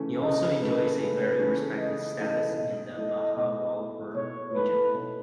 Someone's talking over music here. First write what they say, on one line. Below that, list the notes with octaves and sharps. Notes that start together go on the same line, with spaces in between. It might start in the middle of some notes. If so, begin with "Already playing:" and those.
He also enjoys a very respected status in the Bahawalpur region.
Already playing: C#3 E3 A3 C#4
C#3 D#5
E3 A3 C#4 B4
C#3 B4
E3 A3 C#4
C#3 D#5
E3 A3 C#4
B2 D#5
A3 E4
B2
A3 E4
B2 C#5
A3 E4 B4
B2